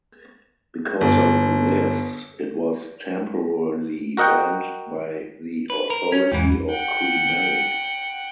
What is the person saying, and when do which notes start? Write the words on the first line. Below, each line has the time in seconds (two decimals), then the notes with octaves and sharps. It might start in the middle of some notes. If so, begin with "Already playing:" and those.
Because of this it was temporarily banned by the authority of Queen Mary.
1.01 G1
4.17 F#4 A#4 D#5 F#5 G5
5.70 B4
5.90 A#4
6.12 C#4
6.32 E2 G#2 E3
6.70 F#5 G5